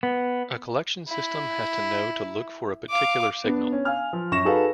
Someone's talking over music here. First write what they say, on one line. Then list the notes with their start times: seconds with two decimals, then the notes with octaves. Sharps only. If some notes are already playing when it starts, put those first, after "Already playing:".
A collection system has to know to look for a particular signal.
0.03 B3
1.09 E4
2.90 F5 D6
3.44 B3 D4
3.72 C#4
3.85 F5 G#5 F6
4.13 F3
4.32 F#2 C#6 A#6 E7
4.44 D#4 F#4 G#4 A4 B4 F5